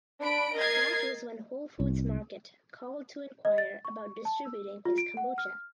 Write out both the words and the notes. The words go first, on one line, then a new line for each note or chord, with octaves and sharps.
That was when Whole Foods Market called to inquire about distributing his kombucha.
D4 B5 D7
A#4 D#5 G#6 A6 C7
C2
D#5
A6
C#6
A5
E6
F4
D7
F#5
F6